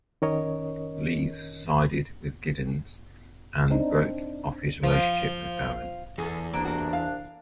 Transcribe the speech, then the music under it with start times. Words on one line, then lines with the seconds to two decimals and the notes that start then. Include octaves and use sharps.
Leese sided with Gittens and broke off his relationship with Baron.
0.22 D#3 C#4 A#4 C#5 D#5
3.70 C4 D4 D#4
4.83 F3
6.18 E2 G#4 A4
6.53 C2 A#3 D4
6.65 A#3 F#4
6.93 F5